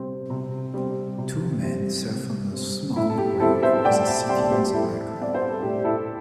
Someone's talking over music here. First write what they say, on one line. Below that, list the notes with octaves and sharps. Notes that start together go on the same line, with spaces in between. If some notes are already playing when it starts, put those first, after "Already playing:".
Two men surf on a small wave with a city in the background.
Already playing: C3 G3 C4
C3
G3 C4
C3
G3 C4
C3
G3 C4
A2 E4
A4
G4
G3 C4 E4 A4
C5 E5
A2 D5 G5
E5 A5
G3 C4 G5 C6
G4 C5
A2 E4 A4
G3 C4 D5
C5
A4
A2 G4
E4 A4